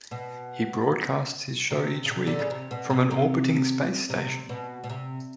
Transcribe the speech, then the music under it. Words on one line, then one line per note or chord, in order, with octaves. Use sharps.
He broadcasts his show each week from an orbiting space station.
B2
C3
C#3
C3
D3
C#3
C3
B2
C3
C3
C3
B2
B2
C3